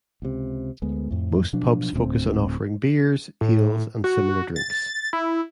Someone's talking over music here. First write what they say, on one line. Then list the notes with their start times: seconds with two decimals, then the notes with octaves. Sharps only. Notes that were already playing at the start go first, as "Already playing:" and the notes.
Most pubs focus on offering beers, ales and similar drinks.
0.22 C#2 C3
0.82 D2 G#3 B3
1.11 F2 A2
1.53 B2 F3 F#3 D4
1.93 D1 D2 A2 C4
3.41 A2
4.04 F#4
4.56 A6
5.13 E4